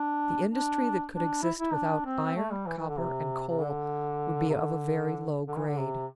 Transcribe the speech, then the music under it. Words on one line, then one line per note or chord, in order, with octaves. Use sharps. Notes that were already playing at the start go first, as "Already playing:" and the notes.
The industry that could exist without iron, copper, and coal would be of a very low grade.
Already playing: D4
D4
D4
E4
E4
D4
C4
A3
G3
E3
E3
D3
C3
C3
D3
C3
D3
D3
E3
D3
C3